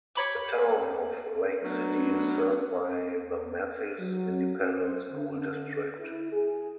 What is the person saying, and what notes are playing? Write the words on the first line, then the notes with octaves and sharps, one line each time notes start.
The Town of Lake City is served by the Mathis Independent School District.
G4 C#5 B5 D6
F#3 A3 B3 D4
F#3
C5
D3
E4
G#4